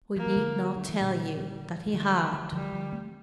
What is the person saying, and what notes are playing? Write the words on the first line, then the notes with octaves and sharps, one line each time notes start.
We need not tell you that he had.
F3 A#3
E3
D3 F3
D3 A3
E3
A#2 D3
G3
E3
D3 F3 A3
D3 F3 G3
D3 F3
A3 C4